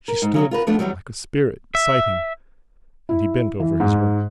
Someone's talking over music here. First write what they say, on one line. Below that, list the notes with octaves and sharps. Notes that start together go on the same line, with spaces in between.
She stood, like a spirit, beside him, and he bent over his work.
A#4
G#2
C#3 F#3 F#4
F4 A#4 B4
F3 A3 B3 D4
E2 G#2 F#3 G3
E5
E4
E3
G#2